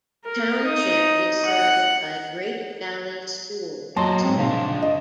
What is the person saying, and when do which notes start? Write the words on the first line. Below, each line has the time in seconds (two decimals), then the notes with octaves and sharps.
The township is served by Great Valley School District.
0.25 A#4
0.63 D#4 D#6
1.46 F#5
3.96 F#3 A#3 F#4 D#5 A5 C6
4.24 G#2 G#3 C4
4.37 A#2 C#3 A#3 D#4
4.51 F3 D4
4.82 C#3 D#5